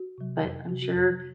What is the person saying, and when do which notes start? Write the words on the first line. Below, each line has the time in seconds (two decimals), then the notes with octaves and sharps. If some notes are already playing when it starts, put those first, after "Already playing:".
But I'm sure
Already playing: F#4
0.18 C3 F#3
0.43 F2
0.69 C3 F#3 F#4
0.82 F#4
0.94 F2